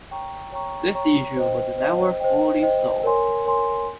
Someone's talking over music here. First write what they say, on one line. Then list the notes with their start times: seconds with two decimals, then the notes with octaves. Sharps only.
This issue was never fully solved.
0.11 C#5 G5 A#5 C#6
0.52 C#5 G5 A#5 C#6
0.95 C#5 G5 A#5 C#6
1.37 C5 D#5 G5
1.78 C5 D#5 G5
2.20 C5 D#5 G5
2.62 C5 D#5 G5
3.04 A#4 C#5 G#5 C6
3.45 A#4 C#5 G#5 C6